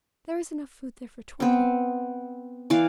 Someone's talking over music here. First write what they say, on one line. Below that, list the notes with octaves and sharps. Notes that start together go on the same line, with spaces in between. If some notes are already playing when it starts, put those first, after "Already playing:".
"There is enough food there for twenty."
B3 C4
E3 D5 F5